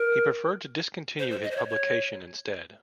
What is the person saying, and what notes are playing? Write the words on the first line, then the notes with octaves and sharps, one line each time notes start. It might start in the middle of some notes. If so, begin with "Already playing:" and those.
He preferred to discontinue his publication instead.
Already playing: A#4
C5
C5
D#5
C5
C#5
C#5